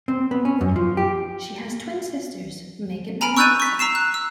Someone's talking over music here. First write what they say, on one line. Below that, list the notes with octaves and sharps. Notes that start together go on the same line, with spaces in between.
She has twin sisters Megan and Melissa.
C4
B3
C#4
F#2
F3
G4
G#5 A#5 B5 F6 D7
C#6 E6 F#6 G6 A6 D#7
C#6 B6
A#5 E6 C7 E7
F#6
E6